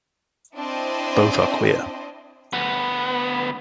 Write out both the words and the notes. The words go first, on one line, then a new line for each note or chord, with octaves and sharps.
Both are queer.
C4 D4 E4 C5 D#5
D2 B3